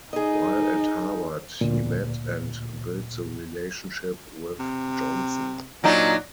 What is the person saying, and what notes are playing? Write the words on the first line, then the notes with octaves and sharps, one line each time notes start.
While at Harvard he met and built the relationship with Johnson.
D#4 G#4 D#5
D2 A#2
C3
A#2 F#3 D4 D#4